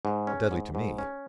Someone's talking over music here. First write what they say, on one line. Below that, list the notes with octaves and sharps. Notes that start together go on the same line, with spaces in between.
Deadly to me!
G#2
C#4
G#2
G#2
C#4